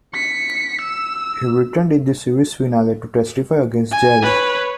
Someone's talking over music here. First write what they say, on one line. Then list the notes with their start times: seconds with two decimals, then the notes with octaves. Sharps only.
He returned in the series finale to testify against Jerry.
0.14 B6 C#7
0.81 E6
3.91 G#5
4.23 B4 C#5